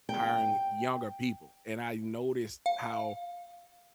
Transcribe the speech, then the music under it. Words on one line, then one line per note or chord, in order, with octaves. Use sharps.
hiring younger people, and I noticed how
G5
F5